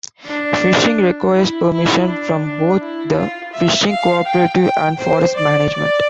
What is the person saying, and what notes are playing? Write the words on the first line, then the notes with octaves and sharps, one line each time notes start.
Fishing requires permission from both the Fishing Cooperative and Forest Management.
D4
E4
E4
D4
D4
E4
F4
E5
F5
G5
G5
C5
D5
D5